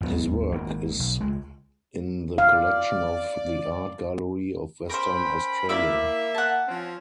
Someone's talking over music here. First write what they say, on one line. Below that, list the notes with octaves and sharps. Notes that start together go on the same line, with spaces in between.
His work is in the collection of the Art Gallery of Western Australia.
G#1 D#2 F#3 B3
G#1 B2 A#3
B1
C#2 G#3
D5 F5
C#4 A#4 C5 G5 B5
A#3 E4 D5 E5 B5
F#5 A5
F3 C4 C#4